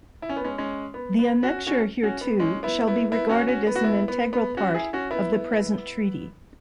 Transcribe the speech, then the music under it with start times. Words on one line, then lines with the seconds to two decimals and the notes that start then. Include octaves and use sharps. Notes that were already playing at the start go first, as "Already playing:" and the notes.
The Annexure hereto shall be regarded as an integral part of the present Treaty.
0.22 E4
0.29 C#4
0.37 B3
0.44 G#3 C#4
0.58 G#3 C#4
0.94 B3
1.19 B3
1.43 C#4 F#4
1.67 C#4 F#4
2.03 C#4 F#4
2.21 B3
2.39 G#3 C#4
2.63 B3 E4
2.87 B3 E4
3.12 B3 E4
3.29 C#4 F#4
3.48 C#4 F#4
3.67 B3
3.76 F#4
3.84 B3 E4
4.08 B3
4.33 B3
4.57 C#4 F#4
4.74 E4 G#4
4.93 C#4 F#4
5.11 B3 E4